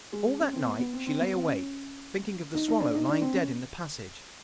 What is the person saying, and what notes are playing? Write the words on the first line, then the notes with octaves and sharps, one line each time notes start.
All that night she lay awake, thinking of the swallow lying dead in the passage.
G#3
C#4
C4
B3
B3
C4
C4
B3
C4
C#4
D#4
D#4
D4
D#4
D4
C4
C#4